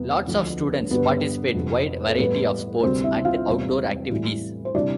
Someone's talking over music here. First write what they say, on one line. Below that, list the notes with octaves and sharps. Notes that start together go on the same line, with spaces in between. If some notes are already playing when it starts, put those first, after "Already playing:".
Lots of students participate wide variety of sports and outdoors activities.
Already playing: E2 C3 G3 B3 B4
D2 D3 F3
G2 D3 G3 B3 B4
F2 C3 F3
A4
A2 E3 G3 B3 B4
D2 C3 G3 C4 C5
E4 E5
F4 F5
E2 C3 E3 G3
A2 E3 G3
C5
C3 E3 G3 D4 D5